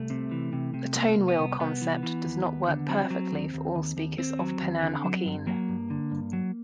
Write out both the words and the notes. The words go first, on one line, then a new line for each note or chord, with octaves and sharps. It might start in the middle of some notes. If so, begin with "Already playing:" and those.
The "tone wheel" concept does not work perfectly for all speakers of Penang Hokkien.
Already playing: C2 A3
C3
E3
C3
C3
C2 A#3
C2
B3
C2
C2 B3
E3
E3
D#2
D#2
D3
F#3 C4
F#3
D#2
D#2
D#2
D#2
D#2 C4
F#3
D#2
D3
F#3
G2
F#3 A#3
G2
D3
G2
F#3